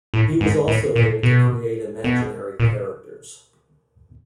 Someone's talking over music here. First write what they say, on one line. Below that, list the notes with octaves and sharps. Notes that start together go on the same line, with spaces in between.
He was also able to create imaginary characters.
A2
G#2
A2
A#2
B2
B2
A#2